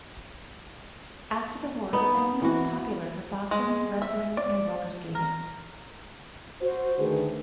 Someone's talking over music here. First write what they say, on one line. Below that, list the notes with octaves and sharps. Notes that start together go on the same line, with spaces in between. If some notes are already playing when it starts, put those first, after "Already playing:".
After the war, the venue was popular for boxing, wrestling and roller skating.
B3 D#4
E3 F#4
G#3
E5
D5
A#4
F#4 C5
D3 D#3 A3 G#4 B4